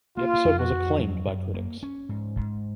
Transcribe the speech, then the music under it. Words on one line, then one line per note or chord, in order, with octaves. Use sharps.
The episode was acclaimed by critics.
A#3 F4
F2
F#4
F2
F#3
F#2
A#3
C#4
G#2
G#2